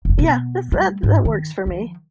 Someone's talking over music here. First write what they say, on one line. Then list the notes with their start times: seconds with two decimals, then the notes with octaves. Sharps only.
Yeah. That's that that works for me.
0.05 F1 G2
0.19 B2
0.72 G3 A3
1.03 G#2
1.25 D#3
1.66 D#3 F3